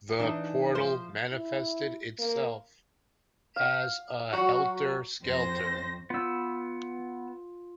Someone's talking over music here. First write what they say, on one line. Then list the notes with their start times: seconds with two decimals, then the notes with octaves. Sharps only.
The portal manifested itself as a helter skelter.
0.19 E3 D4 D#4
0.75 F3 C5
1.32 E4
2.19 A#3
3.56 F5
4.33 F#3 F#4
5.24 F2 C5 A#6
6.10 B3 F4 E6